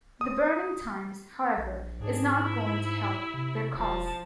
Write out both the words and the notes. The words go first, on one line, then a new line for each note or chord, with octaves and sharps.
"The Burning Times", however, is not going to help their cause.
D#6
A#1
G#2 D4 G#4
E4
C3
E1 F3 A5